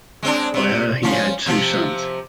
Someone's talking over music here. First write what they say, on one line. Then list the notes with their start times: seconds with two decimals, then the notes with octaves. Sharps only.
By her he had two sons.
0.23 G#3 C4 D4
0.54 C3
1.03 F3 C#4 F4
1.46 C3 F3